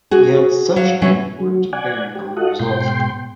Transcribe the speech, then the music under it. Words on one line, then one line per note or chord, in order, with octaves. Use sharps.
He had such an important bearing on the result.
F#4 G#4
F#3 F5
E3 F#3 C#4
F#3
D5 F#5 G#5
G4
F4 F#4 A4 D#5 F#5
G#2 B2 G5 C6